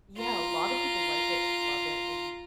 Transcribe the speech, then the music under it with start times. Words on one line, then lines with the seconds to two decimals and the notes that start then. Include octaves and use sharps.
Yeah, a lotta people like it and love it, and
0.18 F4 A#5